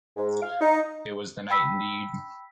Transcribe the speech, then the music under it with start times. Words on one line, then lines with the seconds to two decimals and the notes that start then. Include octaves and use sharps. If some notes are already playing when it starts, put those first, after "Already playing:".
It was the night indeed.
0.17 G#2
0.42 F5
0.61 D#4
1.50 G5 B5 E6 B6